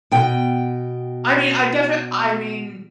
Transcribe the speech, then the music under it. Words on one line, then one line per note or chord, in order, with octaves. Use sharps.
I mean, I def I mean,
B2 G5